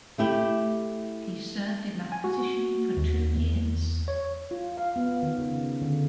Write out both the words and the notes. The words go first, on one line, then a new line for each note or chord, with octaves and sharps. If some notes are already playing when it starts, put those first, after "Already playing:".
He served in that position for two years.
A3 E4 G4
G#5
F#4
D#2
E2
C#5
F4
F5
B3
D#3
C#3
D3